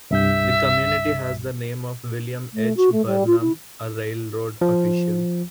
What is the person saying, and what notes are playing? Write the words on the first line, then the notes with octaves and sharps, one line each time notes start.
The community has the name of William H. Barnum, a railroad official.
C2 G2 E5 G6
A3
F#4
A3
G3
F4
E4
F3